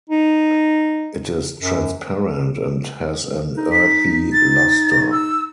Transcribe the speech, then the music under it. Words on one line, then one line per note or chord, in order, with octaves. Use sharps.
It is transparent and has an earthy luster.
D#4
F#2
D#4
B6
A6
E6